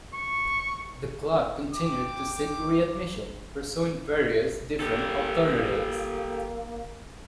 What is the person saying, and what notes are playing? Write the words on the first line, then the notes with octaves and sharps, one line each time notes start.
The club continued to seek readmission, pursuing various different alternatives.
C#6
G5 D6
A#3 G4 A4